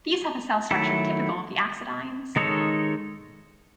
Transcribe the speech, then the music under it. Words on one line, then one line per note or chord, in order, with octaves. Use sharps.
These have a cell structure typical of the axodines.
D#3 F#3 A3 E4 A4
D#3 G#3 D#4 A4 C#5